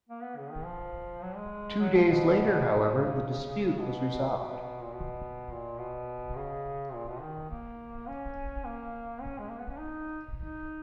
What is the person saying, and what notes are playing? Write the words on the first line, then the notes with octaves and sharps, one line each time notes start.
Two days later, however, the dispute was resolved.
A#3
B3
C#3
D#3
F3
F#3
G#3
F#3
F3
B2
C#3
B2
B2
A#2
B2
A#2
B2
C#3
A#2
B2
D#3
A#3
C#4
A#3
C#4
G#3
A#3
B3
C#4
D#4
D#4